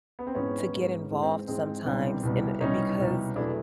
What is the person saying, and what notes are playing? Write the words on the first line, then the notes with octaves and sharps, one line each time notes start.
to get involved sometimes in uh, because
B3
C4
G#2 E3 G#3 B3 C#4
G#2 E3 G#3
G#2 E3 G#3 C4
C4
G#2 E3 G#3 C4
C2 B2 G3 C4 D4
C2 B2 G3
C2 B2 G3 C#4 D#4
C2 B2 G3
E2 B2 F#3 A3 D4 E4